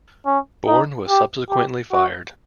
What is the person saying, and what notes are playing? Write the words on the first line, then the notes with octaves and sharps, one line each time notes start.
Bourne was subsequently fired.
C#4
D#4
G4
G4
F#4